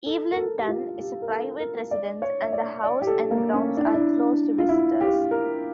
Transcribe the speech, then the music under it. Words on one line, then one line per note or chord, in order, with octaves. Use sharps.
Evelynton is a private residence and the house and grounds are closed to visitors.
A4
A#4
A4
G4
F4
G4
A#4
A4
A#4
D5
C#5
E5
D5
D5
G4
A4
A#3
C#4
D4
E4
D4
F4
E4
G4
A#4